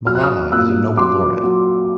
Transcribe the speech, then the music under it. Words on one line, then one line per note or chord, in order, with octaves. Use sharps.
Malala is a Nobel laureate.
F#3 F6
F#6
D#6 F6
A#2 E6 F#6
F#3 C6 D6
F#3